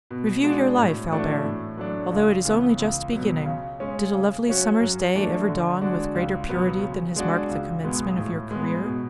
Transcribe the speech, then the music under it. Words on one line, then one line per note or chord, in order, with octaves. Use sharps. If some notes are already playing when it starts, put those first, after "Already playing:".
Review your life, Albert; although it is only just beginning, did a lovely summer's day ever dawn with greater purity than has marked the commencement of your career?
B2
G#3 D4 F#4
A2
E3 A3 D4 F#4
A2
F#3 A3 D4
C#2
C#3 E3 B3
C#2
B2 F#3
C#3
G#3 C#4
C#3
F#3 C#4 F#4
F#2
E3 A3 D4
D3
G#3 D4 F#4
C#2
B2 F#3 B3
C#3
G#3 D4 F#4
C#2
B2 G#3 B3
A2
G#3 B3
B2